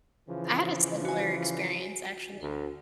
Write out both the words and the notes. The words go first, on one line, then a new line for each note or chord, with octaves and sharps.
I had a similar experience actually,
C#3 E3 F3
F#4 G#5
D2